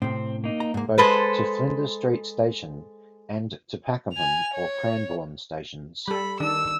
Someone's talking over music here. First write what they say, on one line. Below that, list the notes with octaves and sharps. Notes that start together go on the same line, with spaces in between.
Both to Flinders Street station and to Pakenham or Cranbourne stations.
A2 C3 C4
A#3 D#4
A#5
G#2 A#3
G#3 A4 B4 C5
G#5 F7
C#5
G3 A4 B5
D#3 D4 E6